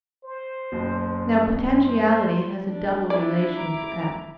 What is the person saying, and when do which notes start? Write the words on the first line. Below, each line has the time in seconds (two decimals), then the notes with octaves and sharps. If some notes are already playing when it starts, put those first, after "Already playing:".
Now, potentiality has a double relation to act.
0.24 C5
0.72 F#1 B1
1.79 C5
2.65 D4
3.10 B3 D4 E4 D5
3.57 A#5 D6